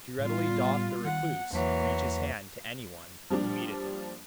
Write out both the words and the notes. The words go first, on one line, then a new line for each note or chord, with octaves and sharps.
Too readily doth the recluse reach his hand to any one who meeteth him.
A2 G3 B3 F4
D#3 F#5
E2 E3 F#3 A#3
F3 G3 A#3 D4